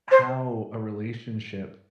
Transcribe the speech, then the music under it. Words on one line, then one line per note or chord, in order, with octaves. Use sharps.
how a relationship
C5